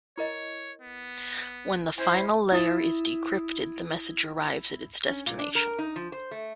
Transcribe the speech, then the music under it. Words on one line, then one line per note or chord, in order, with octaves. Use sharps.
When the final layer is decrypted, the message arrives at its destination.
E4 A#4 C#5 D#5
B3
C#4 E4 C5 G#5
E4 D#6 A6 E7
C#4
A#2
D4
A#4
D#4
F3
C5
A3